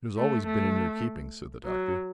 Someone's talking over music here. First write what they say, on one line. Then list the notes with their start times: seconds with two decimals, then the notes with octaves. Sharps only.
"It has always been in your keeping," said the Doctor.
0.17 A3
0.46 A3
1.65 F#3